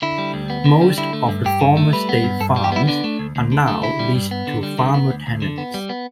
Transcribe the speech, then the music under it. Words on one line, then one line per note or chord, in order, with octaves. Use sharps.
Most of the former state farms are now leased to farmer tenants.
D3 E4
G3
D2
B3
D3
G3
D3 E4
A3
G2
G2 G4
D3
A3
G3 B4
B3
G2
G2 A4
G3
G4
B3 E4
D3 D4
A3
D2
D2
D3
A3
D3 E4
G3
G2
B3
D3
G3
D3
B3
D2
D2
D3
B3
G3
B3